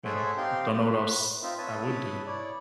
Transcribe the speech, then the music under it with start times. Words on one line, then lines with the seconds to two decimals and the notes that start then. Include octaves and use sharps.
you know don't know what else I would do.
0.05 G#4 A4 C5 C#5 E5 F#5
0.37 C4 D#4 G4 F5 G5 C6
0.79 B4
1.43 C4 D#4 F4 E5
1.58 B4 C#5 E5 A5 D#6
2.26 E4 C#5 D5